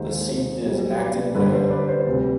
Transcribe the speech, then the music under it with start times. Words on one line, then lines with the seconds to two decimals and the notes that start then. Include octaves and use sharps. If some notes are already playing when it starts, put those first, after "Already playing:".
The seat is Acton Vale.
Already playing: D#2 D#3 G#3 C5
0.28 C5
0.63 B1 B2 G3 C5
0.99 B4 D5
1.35 G1 G2 D3 G3 B4
1.53 C5
1.70 B4 D5
1.88 C5
2.06 D2 C3 G3 B4